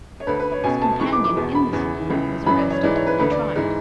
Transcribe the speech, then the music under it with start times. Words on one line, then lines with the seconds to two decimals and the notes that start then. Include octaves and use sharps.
His companion in the saloon was arrested and tried.
0.20 C#5
0.27 D2 D3 B4
0.40 B4
0.52 C#5
0.64 C#2 B2 G#5
0.82 A5
1.00 G#2 E3 C#6
1.12 D6
1.24 D6
1.37 E2 B2
1.55 B5
1.73 E2 C#3 E3
2.10 C#2 C#3 E3
2.46 F#2 C#3 E3 B5
2.58 D5
2.71 C#5
2.83 G#2 E3 D5
2.96 C#5
3.07 B4
3.19 D2 D3 B4
3.31 D5
3.56 G#2 E3